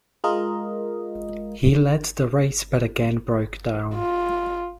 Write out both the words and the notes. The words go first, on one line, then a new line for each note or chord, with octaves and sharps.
He led the race but again broke down.
G#3 F4 A#4 D#5
F4